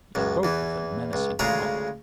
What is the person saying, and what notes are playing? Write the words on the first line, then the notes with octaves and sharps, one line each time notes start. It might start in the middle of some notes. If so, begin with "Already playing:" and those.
He spoke with a menacing calm.
C#2 F#2
E2 E3
C#2
D2 C#3 G#3 F4 A#5